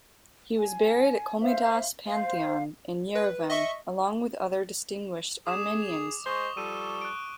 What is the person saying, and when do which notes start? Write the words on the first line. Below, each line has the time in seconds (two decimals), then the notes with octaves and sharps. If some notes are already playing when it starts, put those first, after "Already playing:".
He was buried at Komitas Pantheon, in Yerevan, along with other distinguished Armenians.
0.57 G#5
1.40 C5 E5 F5
2.06 C5 F5
3.15 B4
3.50 D#5 E5 C#6 C#7
5.47 G#4 D6 D#6 E7
5.83 F7
6.26 G#3 C5 D#5 C#6 G7
6.57 F3 G3 A4 D#7
7.01 F#6 D7